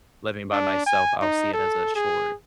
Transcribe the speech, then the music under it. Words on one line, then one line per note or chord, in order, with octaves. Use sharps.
living by myself, I'll see it as a chore,
D4
G#5
D#4
A4
G#4